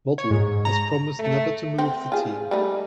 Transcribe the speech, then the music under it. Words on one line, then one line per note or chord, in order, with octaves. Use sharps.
Modell had promised never to move the team.
C#5
G#2
A#5
A3
C4
F4 G#4
G3 A3 D#4